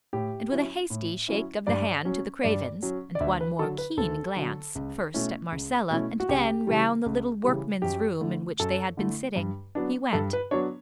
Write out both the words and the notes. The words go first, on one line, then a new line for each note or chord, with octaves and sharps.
And with a hasty shake of the hand to the Cravens, and one more keen glance, first at Marcella and then round the little workman's room in which they had been sitting, he went.
A2 G4
F#3 C#4 E4
A2
F#3 C#4 E4
G2 D5
F#3 C#4
G2 D5
F#3 C#4
D5
D2 E5
B4
D3 F#3 A4
B4
D2 A4
D3 F#3
C#2
B2 A3 C#4 E4
C#2
B2 A3 C#4 E4
F#4
C#2 G4
C#3 E3 G3
C#2
C#3 E3 G3
F#2 G4
D3 A3 E4
F#2 A4
D3 A3 E4
G2
F#3 B3 D4
G2 A4
B4
F#3 B3 D4 C#5